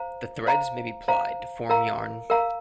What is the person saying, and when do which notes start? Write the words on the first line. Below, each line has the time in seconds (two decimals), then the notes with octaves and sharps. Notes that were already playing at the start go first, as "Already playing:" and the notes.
The threads may be plied to form yarn.
Already playing: C5 F5 A#5
0.46 C5 F5 A#5
1.08 C5 F5 A#5
1.70 A#4 F5 A#5
2.30 A#4 F5 A#5